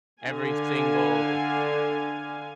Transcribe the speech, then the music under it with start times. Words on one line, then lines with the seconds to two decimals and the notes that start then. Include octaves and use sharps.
every single
0.24 D3 F5 G#5